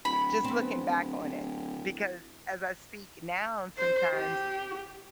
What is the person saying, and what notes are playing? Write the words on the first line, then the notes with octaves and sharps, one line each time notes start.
just looking back on it, because, as I speak now and sometimes
D1 B5
B3 C4
C5
G4